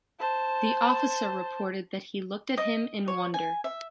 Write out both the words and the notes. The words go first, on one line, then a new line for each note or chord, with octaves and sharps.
The officer reported that he looked at him in wonder.
C5 A5
D#5
C#5
G#5
E5